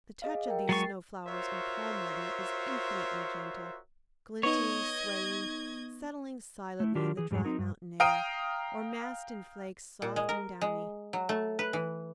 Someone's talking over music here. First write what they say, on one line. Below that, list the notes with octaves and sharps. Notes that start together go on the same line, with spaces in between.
The touch of these snow-flowers in calm weather is infinitely gentle--glinting, swaying, settling silently in the dry mountain air, or massed in flakes soft and downy.
G#4 D#5 F5
A#4 G5
F#3 G#3 C#6 A6 C7
F4 F#4 A#4 C5 C#5 E5
B3 D#4 C#5 D#5 G#6
A3 E4
D#3 D4 F4 G4 A#4
E3 G#4
F2 G#2 G3 G#4 C#5
C4 D#4 A#4
G2
F5 G5 A#5 D#6 D7 D#7
A#2
G#3
A#4
G#3
F#3
A3
B4
E3